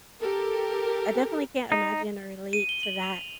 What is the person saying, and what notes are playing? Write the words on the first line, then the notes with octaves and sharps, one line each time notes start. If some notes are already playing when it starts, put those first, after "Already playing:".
I definitely can't imagine or relate to that-
G4 A4 A#4
D#4
D#7
G7
F#7
F7